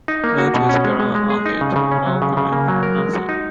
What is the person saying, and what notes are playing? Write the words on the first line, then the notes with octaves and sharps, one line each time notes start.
No trees grew on it, no grass — nothing.
D#4
A#3
F#4
B2
C#4
G#3
G#3
G#3
G#4
D#4
C#3
C#3
C#4
F#3
C#3
C#3
A#3
F#3
A#4
G#3
F#4
D#4